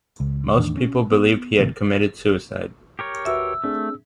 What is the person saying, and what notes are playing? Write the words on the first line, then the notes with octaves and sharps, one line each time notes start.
Most people believed he had committed suicide.
C#2
E2 A2 D#3 D4
C#4
B3
G1 A2 C3 E3
G4 A#4 C#5
D2 F#4 B4 E5 E6
A3 C4 D4 G#4